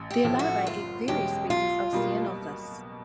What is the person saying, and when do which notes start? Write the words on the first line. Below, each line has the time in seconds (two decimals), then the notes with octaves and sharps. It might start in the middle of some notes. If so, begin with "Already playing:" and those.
Their larvae eat various species of "Ceanothus".
Already playing: A1
0.11 G4
0.24 A2 F3 A3
0.39 F#4
0.66 F#1 F4
1.08 E2 B2 G#3 C#4 G4
1.50 B1 F4
1.93 B2 G3 A#3